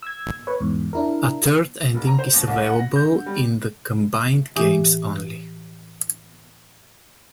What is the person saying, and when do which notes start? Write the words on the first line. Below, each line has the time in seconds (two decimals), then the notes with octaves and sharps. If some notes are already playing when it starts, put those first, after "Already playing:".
A third ending is available in the combined games only.
0.03 E6 G#6
0.47 B4 C#5
0.60 E2 G#2
0.93 D4 E4 A#4
1.94 F1
2.07 A#5
2.19 C5
2.33 D#2
2.48 C2
2.65 F#5
2.79 A#6
2.96 G6
3.10 D3
3.26 G3
4.56 A2 E3 G4 G#5 D6 D#6